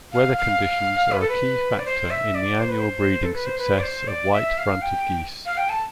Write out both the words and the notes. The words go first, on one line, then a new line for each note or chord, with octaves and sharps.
Weather conditions are a key factor in the annual breeding success of white-fronted geese.
F5
F5
B4
A4
B4
D5
C5
E5
D5
C5
B4
C5
A4
B4
C5
B4
D5
C5
D5
E5
F5
G5
F5
G5
A5